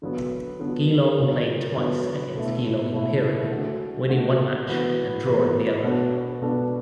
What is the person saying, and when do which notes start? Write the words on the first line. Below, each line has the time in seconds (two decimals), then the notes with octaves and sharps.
Geelong played twice against Geelong Imperial winning one match and drawing the other.
0.02 D3 F#3 B3
0.60 D3 F#3 B3
1.18 D3 F#3 B3
1.76 D3 F#3 B3
2.34 B2 A3 E4
2.93 B2 A3 E4
3.51 D3 A3 F#4 A4
4.09 D3 A3 F#4 A4
4.67 E3 B3 F#4
5.25 E3 B3 F#4
5.83 B2 B3 D4 F#4 A4
6.42 B2 B3 D4 F#4 A4